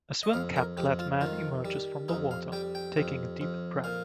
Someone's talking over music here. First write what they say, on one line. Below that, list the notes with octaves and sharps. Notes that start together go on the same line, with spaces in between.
A swim capclad man emerges from the water, taking a deep breath.
D#5
F2 F5
A#4
F2 G4
F4
D#3 F4
G3
F2 D#4
F5
G3 G5
G5
F2
F2
A#2 F5